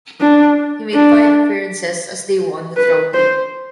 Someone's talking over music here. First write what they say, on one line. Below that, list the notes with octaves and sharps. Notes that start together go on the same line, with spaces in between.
He made five appearances as they won the trophy.
D4
D4
B4
C5